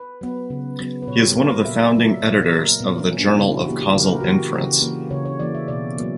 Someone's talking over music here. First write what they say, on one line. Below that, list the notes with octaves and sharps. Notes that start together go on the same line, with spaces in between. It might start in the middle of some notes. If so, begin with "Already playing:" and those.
He is one of the founding editors of the "Journal of Causal Inference".
Already playing: B4
F#3 B3
C#3
F#3 B3
B4
A#2 C#5
G4
A#4
F#3 A#3 A#4
B4
A#2 E5
E5
F#3 A#3 D5
E5
A#2 D5
A#4
F#3 A#3
A#4
A#2 B3
C#4
F#3 A#3
D4
C#3 E4
F#4
E3 A#3 G4
G4
C#3 A#4
B4
A#4
F#4
E3 A#3 G4
C#3
E3 A#3
C#3 C#5
C#5
E3 A#3 D5
E5
B2 D5
F#3 A#3